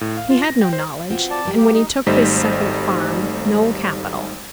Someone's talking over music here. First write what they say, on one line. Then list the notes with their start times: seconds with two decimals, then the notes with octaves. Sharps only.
He had no knowledge, and, when he took this second farm, no capital.
0.01 A2
0.17 F5
0.30 F4
0.42 A#6
0.61 G5
0.73 C5
1.10 C4 F4 F#4
1.30 D5 A5
1.45 G3 A#4
1.58 A#3 G4
1.74 D#4
2.07 G#1 G3 A3 D#4 C5 B6